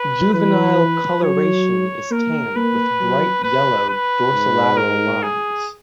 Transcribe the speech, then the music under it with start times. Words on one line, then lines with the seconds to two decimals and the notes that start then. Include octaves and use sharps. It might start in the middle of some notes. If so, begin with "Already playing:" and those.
Juvenile coloration is tan with bright yellow dorsolateral lines.
Already playing: B4
0.34 E3 B4
1.23 F#3 C#5
2.11 A#3 A#4
2.56 A#3 B4
3.00 F#3
3.44 B4
3.89 B4
4.33 G#2
4.77 A#4
5.23 G#4